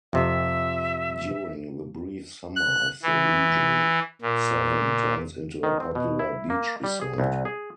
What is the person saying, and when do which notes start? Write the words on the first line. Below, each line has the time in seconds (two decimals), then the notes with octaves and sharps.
During the brief summer of the region, Sevan turns into a popular beach resort.
0.13 F2 C3 E5
2.56 F#6
3.02 E3
4.22 A#2
5.63 D#3
5.80 C4
5.95 B2
6.19 E4
6.50 A#3
6.84 G3
7.01 G#4
7.18 C2
7.45 G#4